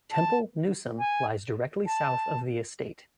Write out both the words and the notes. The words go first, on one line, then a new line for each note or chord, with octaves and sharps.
Temple Newsam lies directly south of the estate.
A5
G#5
A5